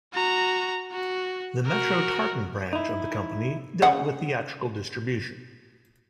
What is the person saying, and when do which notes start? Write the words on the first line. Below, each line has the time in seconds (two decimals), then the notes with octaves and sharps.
The Metro Tartan branch of the company dealt with theatrical distribution.
0.14 F#4 A#5
0.92 F#4
1.66 F#4 A#4
2.73 D#4 E4
3.82 C#3 F#5